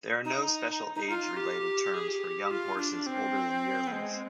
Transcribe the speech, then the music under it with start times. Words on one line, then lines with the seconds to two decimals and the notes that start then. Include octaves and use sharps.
There are no special age-related terms for young horses older than yearlings.
0.25 D#4
0.95 D#4
1.09 F4
1.36 G4
1.94 G#4
2.08 G4
2.51 F4
2.78 D4
3.06 C4
3.87 B3
3.92 G#3